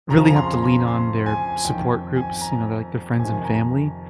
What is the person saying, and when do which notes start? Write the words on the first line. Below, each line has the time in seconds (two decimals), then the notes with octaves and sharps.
really have to lean on their support groups, you know, their, like, their friends and family.
0.10 F2 C#3 F3 A#5
0.25 A#5
0.36 C6
0.62 A#5
0.88 C6
1.26 G#5
1.65 F2 D#3 G5
2.16 G#5
2.41 A#5
3.19 F2 C3 D#3 G#5
3.45 A#5